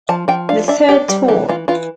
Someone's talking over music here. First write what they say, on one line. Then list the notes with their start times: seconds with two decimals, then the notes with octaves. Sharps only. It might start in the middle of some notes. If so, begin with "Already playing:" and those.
The third tour.
0.09 F3 A5
0.28 F3 G5
0.49 D4 F5
0.68 D4 E5
0.89 D4 G4
1.08 G3 G4
1.28 E3 G4
1.49 E3 F4
1.68 E3 F4